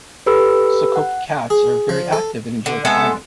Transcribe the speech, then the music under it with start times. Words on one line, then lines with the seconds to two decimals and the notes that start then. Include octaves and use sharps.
Sokoke cats are very active and enjoy climbing.
0.26 G4 A4 B4 B5 E6
0.96 F#5
1.50 G#4
1.89 F3
2.13 A4
2.66 D3
2.85 G#3 B3 A4 E5